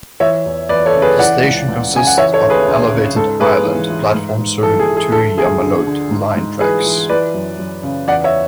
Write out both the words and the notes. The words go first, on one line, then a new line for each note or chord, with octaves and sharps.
The station consists of an elevated island platform serving the two Yamanote Line tracks.
E3 C#5 E5
E2
E2 B4 D5
A4 C#5
C#3
G#4 B4
E3 D5 F#5
C#2
C#2
C#3 G#5
F#5
E3 C#5 E5
A4 C#5
D2
G#4 B4
D2
C#3
G#2 A4
G#2 G#4 B4
E3
E3
G#2
G#2
E3 A4
G#4
E3
G#4
D2 A4
D2 G#4
D3
D3
G#2
G#2
E3 G#4 B4
E3
E3 B4 D5
F#2
F#2
C#3
E2 D5 F#5
C#5 E5